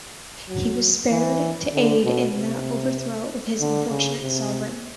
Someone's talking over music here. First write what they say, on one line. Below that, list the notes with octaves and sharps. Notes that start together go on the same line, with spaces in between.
He was spared to aid in the overthrow of his unfortunate sovereign.
F#3
E3
D3
B2
C3
D3
C#3
C3